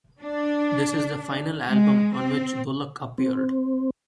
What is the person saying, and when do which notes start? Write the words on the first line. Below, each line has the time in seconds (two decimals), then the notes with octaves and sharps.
This is the final album on which Bullock appeared.
0.21 D4
1.68 G#3
2.15 C4
3.18 C4